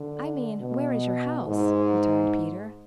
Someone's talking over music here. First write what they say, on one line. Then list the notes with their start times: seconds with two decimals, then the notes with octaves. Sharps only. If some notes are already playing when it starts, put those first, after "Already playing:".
"I mean, where is your house?" returned Peter.
Already playing: D3
0.61 B2
1.48 G#2